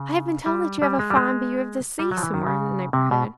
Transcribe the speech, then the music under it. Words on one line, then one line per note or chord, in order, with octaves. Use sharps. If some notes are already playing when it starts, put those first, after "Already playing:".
I have been told that you have a fine view of the sea somewhere in the neighbourhood.
Already playing: C#3
G3
G3
G#3
G3
G#3
G3
F#3
F3
E3
D#3
C#3
C3
B2